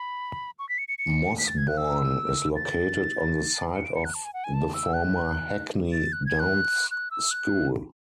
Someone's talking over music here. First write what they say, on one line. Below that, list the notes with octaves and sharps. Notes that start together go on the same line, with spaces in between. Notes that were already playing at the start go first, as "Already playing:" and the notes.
Mossbourne is located on the site of the former Hackney Downs School.
Already playing: B5
C#6
B6
C#7
C#7
C#7
B6
A6
G#6
F#6
E6
A6
C#7
D7
C#7
F#6
A5
G#5
F#5
G#5
A5
E6
F#6
A6
F#6
G#6
F#6
F#6
E6
F#6